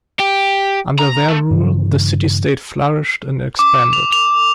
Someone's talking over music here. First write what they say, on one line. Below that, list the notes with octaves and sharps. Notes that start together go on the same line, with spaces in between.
Under their rule, the city-state flourished and expanded.
G4
A#5
A3
G2 C#3 E3
D6
F7
F7